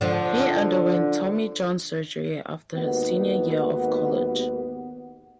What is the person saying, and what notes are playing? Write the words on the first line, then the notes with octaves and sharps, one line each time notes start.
He underwent Tommy John Surgery after his senior year of college.
D3 F3
G#1 D#2 B3